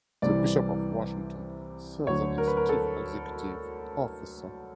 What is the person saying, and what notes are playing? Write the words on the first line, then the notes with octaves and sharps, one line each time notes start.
The Bishop of Washington serves as its Chief Executive Officer.
C2 C3 E3 G3 D5
D2 D3 F#3 C#5
A#4
B4
A#4
A4